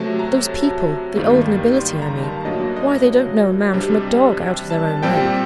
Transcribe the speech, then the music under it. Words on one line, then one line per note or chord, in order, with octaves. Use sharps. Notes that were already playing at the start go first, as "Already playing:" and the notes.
Those people--the old nobility I mean--why they don't know a man from a dog, out of their own rank!
Already playing: C3 F#3 A3 A5
A#5
G2 D#3 G3 A#3
C6
A#5
A5
A2 F#3 A#3 D4 D#5
D#5
C3 G3 D4
A5
A#2 G3 C4 G5